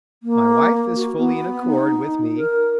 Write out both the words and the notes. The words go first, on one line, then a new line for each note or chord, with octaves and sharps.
My wife is fully in accord with me.
A#3
F#4
B3
D#4
A#4